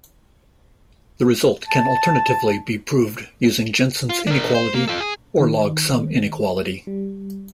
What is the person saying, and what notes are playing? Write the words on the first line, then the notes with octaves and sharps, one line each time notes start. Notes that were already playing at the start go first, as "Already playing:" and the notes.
The result can alternatively be proved using Jensen's inequality or log sum inequality.
A5
F4
D4 A#4
C5
A#3
F4 A4
G#4
D#3
G3